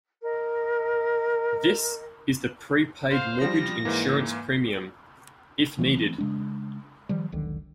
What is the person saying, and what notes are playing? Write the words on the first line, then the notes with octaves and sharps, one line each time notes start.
This is the prepaid mortgage insurance premium, if needed.
A#4 D#5
C5 F5
F3 G3 A#6
G#2 E3 A#3
E3 F#3 A3 C4
C#3 G#3 D4
D#3 F3 G3
E1 B1 D3 D#3